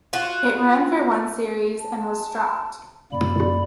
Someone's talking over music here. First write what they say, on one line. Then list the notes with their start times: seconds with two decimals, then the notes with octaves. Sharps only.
It ran for one series and was dropped.
0.13 F4 F#4
1.79 A5
3.12 F#2 A#3 D5 B5